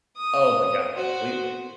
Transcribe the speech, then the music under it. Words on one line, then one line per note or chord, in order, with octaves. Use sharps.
Oh my god, completely.
D#6
F#4 C5